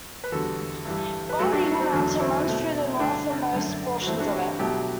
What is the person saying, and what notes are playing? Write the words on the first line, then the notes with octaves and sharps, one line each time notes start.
Bald Eagle Mountain runs through the northernmost portions of it.
B4
E2 D3 G3 F#4 A4
G2 E3 G3
B4
G2 F#3 A3 F#4 A4
D4 F#4
D4
C4
E2 D3 F#3 A3 D4
C4 E4
B2 A3
E4
G2 D3 A3 D4
F#2 D3 A3
F#4
G2 E3 A3 C4 E4
D4 F#4
E4 G4
B2 F#3 A3 E4 G4